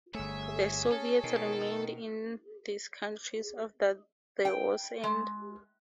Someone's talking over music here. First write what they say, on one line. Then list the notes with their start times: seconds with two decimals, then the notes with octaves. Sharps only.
The Soviets remained in these countries after the war's end.
0.15 G1 A3 G#4 C#5 E5 G#5
0.91 C#4 A4
1.23 B2 D#3
4.45 G5
5.04 G#3